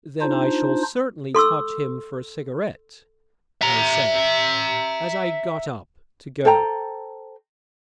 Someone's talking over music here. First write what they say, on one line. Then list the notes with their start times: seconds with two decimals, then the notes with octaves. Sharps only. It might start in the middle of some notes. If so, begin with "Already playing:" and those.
"Then I shall certainly touch him for a cigarette," I said, as I got up to go.
0.21 D4 D#4 F4 C5
1.35 A4 C6 C#6 E6
3.61 E5 A#5
6.45 A4 C5 G5 A#5